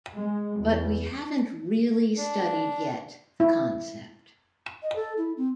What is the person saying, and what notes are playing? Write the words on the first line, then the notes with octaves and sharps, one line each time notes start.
But we haven't really studied yet the concept.
G#3
E2
D4
E4
D#5
A4
E4
C4